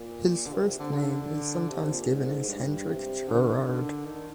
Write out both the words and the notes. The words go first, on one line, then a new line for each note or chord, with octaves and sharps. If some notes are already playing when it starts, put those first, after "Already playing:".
His first name is sometimes given as Hendrik Gerard.
Already playing: A#2
D3
C3
C3
D3
D3
C3
A#2
G#2
G2
C3
D3
D#3
D3
D#3